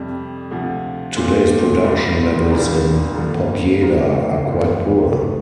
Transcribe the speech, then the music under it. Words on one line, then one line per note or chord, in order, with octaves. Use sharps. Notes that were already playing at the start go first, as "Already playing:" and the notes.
Today’s production levels in Pobjeda are quite poor.
Already playing: F2 C3 G3
D2 C3 F3
A#2 A3 C4 F4
C2 A#2 G3 C4 F4
C2 A#2 G3 A#3 D4
G2 D3 F3 A#3
A2 F3 A#3 F4
G1 G2 F3 C4 F4
D#3 A3